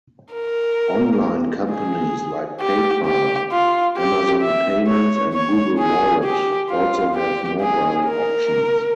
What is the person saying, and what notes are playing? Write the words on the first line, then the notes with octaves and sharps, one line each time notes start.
Online companies like PayPal, Amazon Payments, and Google Wallet also have mobile options.
A#4
G#4
G4
G4
F4
G4
E5
C#5
C#5
G#4
G4
F4
G4
G#4
A#4